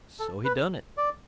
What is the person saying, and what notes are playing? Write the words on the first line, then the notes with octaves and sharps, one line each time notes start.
So he done it.
A4
B4
D5